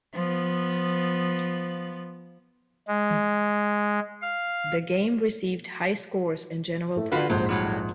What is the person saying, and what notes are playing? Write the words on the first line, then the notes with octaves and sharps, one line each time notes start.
The game received high scores in general press.
F3 B3
G#3
F5
A2 A3
D3 F4 F#4 B4 B5
A#1 F2 G#2 F#3 C5
A2 F#3 G3